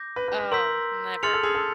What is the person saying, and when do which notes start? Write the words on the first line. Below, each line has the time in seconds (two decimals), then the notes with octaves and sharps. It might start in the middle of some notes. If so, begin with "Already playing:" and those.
Oh, never.
Already playing: D6 G6 A#6
0.16 B4
0.28 B4
0.39 B4
0.52 A#4 C6 E6 G6 B6
1.23 G#4 C6 F6 A6 C#7 F7
1.33 A4
1.43 G#4
1.55 A4